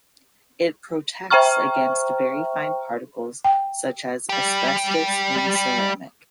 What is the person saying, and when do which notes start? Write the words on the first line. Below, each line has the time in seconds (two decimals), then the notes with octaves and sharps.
It protects against very fine particles such as asbestos and ceramic.
1.30 C5 E5 G5 A#5 C#6 F6
3.44 G5
4.29 G3 G4